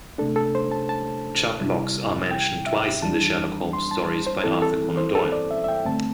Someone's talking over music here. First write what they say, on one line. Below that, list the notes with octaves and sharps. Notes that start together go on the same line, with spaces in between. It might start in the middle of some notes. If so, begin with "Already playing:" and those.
Chubb locks are mentioned twice in the Sherlock Holmes stories by Arthur Conan Doyle.
C3 A3 D4 A4
A4
C5
A5
A5
C3 G3 E4
G5
E5
E2 E3 G3 D4 A5
C6
A5
C5
G2 E3 C4 E4 A4
A4
C5
A4
D5
E5
E5
G5
G2 D3 A3 C4 A5